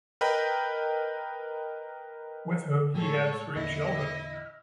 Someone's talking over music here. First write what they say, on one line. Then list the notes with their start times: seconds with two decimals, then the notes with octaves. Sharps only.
With whom he had three children.
0.21 A#4 B4 D#5 G5 B5 G6
2.94 A2 G#3 A4 C#5
3.55 E2 A#2 D3 E4 D#5